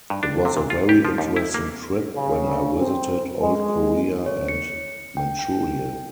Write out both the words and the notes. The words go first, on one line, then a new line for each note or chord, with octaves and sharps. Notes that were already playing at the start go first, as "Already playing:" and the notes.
It was a very interesting trip when I visited old Korea and Manchuria.
G2
D4
C3
A#2
F4
G4
F3
D#2
E4
A#3
C#3
C4
G#3
C#5
C#7
G5
G5